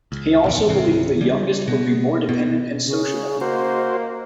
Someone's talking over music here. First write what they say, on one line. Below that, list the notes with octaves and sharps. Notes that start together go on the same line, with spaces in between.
He also believed the youngest would be more dependent and sociable.
C#2
A#1 E2 D3
G#1 C#2 C3 E3
C#3 G3
B2
B2
C#3
A#3 F#4 C5 D#5